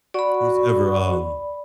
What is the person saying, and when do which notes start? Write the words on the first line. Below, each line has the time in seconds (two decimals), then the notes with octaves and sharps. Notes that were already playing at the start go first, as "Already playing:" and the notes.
who's ever um,
0.14 F#4 D5 B5